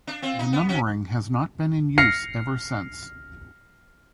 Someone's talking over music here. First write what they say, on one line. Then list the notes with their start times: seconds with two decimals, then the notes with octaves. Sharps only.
The numbering has not been in use ever since.
0.07 D4
0.22 C4 F4
0.39 D#4
0.53 B3
0.69 F3 C#4 F#4
1.98 F6 A#6 C7 C#7